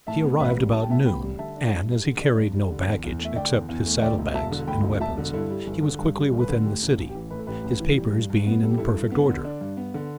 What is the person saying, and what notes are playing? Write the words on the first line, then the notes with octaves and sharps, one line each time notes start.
He arrived about noon, and, as he carried no baggage except his saddle bags and weapons, he was quickly within the city, his papers being in perfect order.
A2 E5 A5
B3
A1 B4 E5
G3
A2 A5
G5
B3 E5 A5
A1 G5 B5
G3
D3 E5 A5
D4
G2
G3
D3
D4
G2
G3
D3
E2
E2
A3
E5
D3 D5 G5
E2
E2
A3
D2 D5 G5
E1
E1 E5 A5
D3
D2 G5 B5
E1
E1 E5 A5
D3
G2 E4 A4
G3
G1
D3
G2
G3
G1
B4
D3 A4
A2 G4
A1 E4
A1
G4
E3
A2 B4
A4
A1 G4 B4
A1
E3
G3
G2
G2
B3
G3 A4
G4
G2 E4 A4
G2
B3
D3
D4
G2
B3
D3